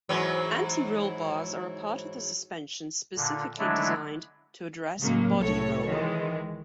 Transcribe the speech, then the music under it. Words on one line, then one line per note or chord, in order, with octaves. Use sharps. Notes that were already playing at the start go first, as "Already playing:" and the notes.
Anti-roll bars are a part of the suspension specifically designed to address body roll.
G#2 E3 F#3
A#2 D3
D3 F#3 G#3 A3 D4 E4
A2 C#3 F#3 G#3 A#3
C2 A2 A4 C#5
D#3 E3 G#3